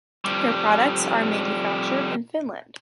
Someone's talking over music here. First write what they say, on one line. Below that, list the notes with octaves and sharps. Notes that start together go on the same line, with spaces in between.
Their products are manufactured in Finland.
F2 G3